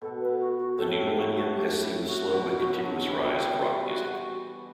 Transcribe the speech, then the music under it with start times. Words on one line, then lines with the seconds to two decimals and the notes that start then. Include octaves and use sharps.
The new millennium has seen the slow but continuous rise of rock music.
0.02 B2 A4
0.20 B4
0.39 F#4
0.58 F#4
0.78 A2 A4
0.97 G4
1.16 F#4
1.35 F#4
1.54 G4
1.80 E4
2.05 F#4
2.31 B2
2.69 D3 F#3
3.07 E3 G3
3.85 F#4